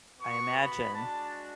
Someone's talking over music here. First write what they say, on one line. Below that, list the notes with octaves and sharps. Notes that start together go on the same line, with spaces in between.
I imagine
B3 F#4 C#6
B5
G#3 D4 F#4 A5